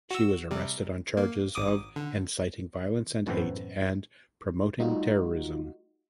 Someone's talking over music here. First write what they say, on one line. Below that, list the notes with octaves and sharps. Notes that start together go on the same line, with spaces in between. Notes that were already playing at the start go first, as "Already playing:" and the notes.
She was arrested on charges of "inciting violence and hate" and "promoting terrorism".
F#4 E6
C3 G3
A#3
G#1 D6 D#6
D3
F#2 A2 E3 B3 C4
G3 A3 D#4 F4 F#4